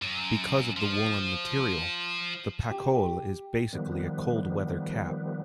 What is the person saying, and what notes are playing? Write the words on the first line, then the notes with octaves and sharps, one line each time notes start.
Because of the woolen material, the pakol is basically a cold weather cap.
F#2
F3
G4
D#3 F3 G3 B3